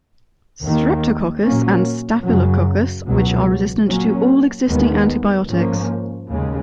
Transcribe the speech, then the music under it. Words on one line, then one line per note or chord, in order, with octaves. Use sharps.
Streptococcus and Staphylococcus which are resistant to all existing antibiotics.
D#2 D#3 A#3
A#2 F#3 A#3 C#4
F#2 C#3 F#3
C#2 B2 F#3
A#2 F#3 A#3 C#4
D#2 D#3 G#3 B3
G#2 F3 A#3 C#4
D#2 C#3 G#3